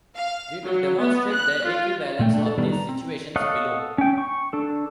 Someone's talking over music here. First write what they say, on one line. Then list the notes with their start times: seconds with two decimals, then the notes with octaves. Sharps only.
We will demonstrate the equivalence of these situations below.
0.15 F5
0.65 F#3
1.00 B3
1.33 F#6
1.66 F4
2.19 A#2 A3 G5
2.34 A3 D4
2.46 A4
2.58 B2 D#3 G3 B3 D4
2.72 A#5
2.89 C4
3.36 A4 C#5 D#5 F5 F#5
3.98 C#4 G5
4.18 C#6
4.53 D4 A4